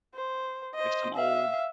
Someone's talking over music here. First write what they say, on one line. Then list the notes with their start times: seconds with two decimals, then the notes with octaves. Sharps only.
Like, some old
0.15 C5
0.75 C5 D#5
1.15 E5 F5